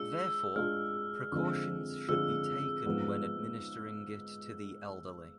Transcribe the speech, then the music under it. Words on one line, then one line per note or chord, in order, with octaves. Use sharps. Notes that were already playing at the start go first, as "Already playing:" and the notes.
Therefore, precautions should be taken when administering it to the elderly.
Already playing: G#3 D4 F4 G#4 E6
G#3 D4 F4 G#4 F6
D3 F3 G#3 C4
D3 F3 G#3 C4 E6
G#2 F3 G#3 B3